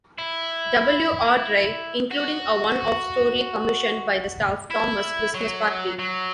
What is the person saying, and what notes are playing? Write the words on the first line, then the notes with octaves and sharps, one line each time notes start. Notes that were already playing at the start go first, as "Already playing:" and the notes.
W. Awdry, including a one-off story commissioned by the staff, "Thomas' Christmas Party".
E4
F#4
E4
F#3
F#3